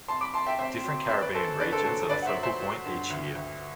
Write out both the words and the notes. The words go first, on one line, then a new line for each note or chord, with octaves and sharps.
Different Caribbean regions are the focal point each year.
C2 A5 C6
B5 D6
C2 A5 C6
E5 G5
C3 C5 E5
F#3
F#2 C5 E5
B4 D5
F#2 A4 C5
D3 B4 D5
A4 C5
F#3 A4 C5
G2 B4 D5
F#5
C5 E5
F#3
C5 E5
F#3
G2
D2
D2